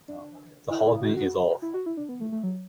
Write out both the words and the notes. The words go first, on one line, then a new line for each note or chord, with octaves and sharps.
The whole thing is off.
D4
E4
E4
F#4
F#4
E4
F#4
E4
D4
B3
A3
A3
F#3